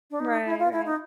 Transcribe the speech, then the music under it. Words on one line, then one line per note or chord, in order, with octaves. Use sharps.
Right, right.
D4
D#4
E4
F4
E4
D#4